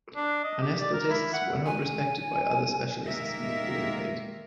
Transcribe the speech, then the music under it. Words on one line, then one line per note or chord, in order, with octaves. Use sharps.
Anaesthetists were not respected by other specialists and were poorly paid.
D4
D#5
G4
D5
A#4
E4
F#5
G#5
D#3 G#3 A#3 A#4 E5